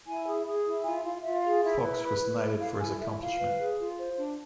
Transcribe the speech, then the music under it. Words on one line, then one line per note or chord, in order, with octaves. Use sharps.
Fuchs was knighted for his accomplishment.
E4 G#5
G#4
G#4
E4
F4 G#5
F4
F4 E5
G#4
E4 E5
B4
B4 B5
E4
E4
A4 F5
E4 G#5
E4 E5
F4 F5
B4
G#4
F4
C5
D4